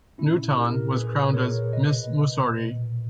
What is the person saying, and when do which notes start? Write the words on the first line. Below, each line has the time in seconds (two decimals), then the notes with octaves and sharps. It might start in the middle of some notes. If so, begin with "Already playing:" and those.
Nutan was crowned as Miss Mussorie.
0.18 A#2 C#4 E4
0.45 A#2
0.57 G4 A#4
0.70 A#2
0.95 A#2 G#4 B4
1.21 A#2
1.34 A#4 C#5
1.46 A#2
1.73 B2 B4 D#5
1.99 B2
2.25 B2
2.50 A#2
2.75 A#2